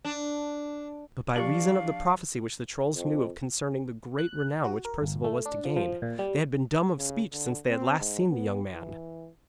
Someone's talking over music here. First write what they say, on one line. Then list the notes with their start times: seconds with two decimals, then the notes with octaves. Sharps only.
But by reason of the prophecy which the trolls knew of concerning the great renown which Perceval was to gain, they had been dumb of speech since they had last seen the young man.
0.05 D4
1.36 F3 D4 G4 D5 F5 C#6
2.95 F2
4.19 F#6
4.64 F#4
4.85 A#4
5.02 G1
5.24 A3
5.46 D4
5.65 F3
5.76 F3
6.02 A#2
6.19 G3
6.98 C#3
7.32 D3
7.68 C4
7.99 G#2
8.30 B3
8.73 E3